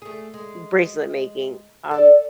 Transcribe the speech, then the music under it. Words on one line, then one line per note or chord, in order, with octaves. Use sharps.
bracelet making. Um,
A3 G#4
G#3
A4 D5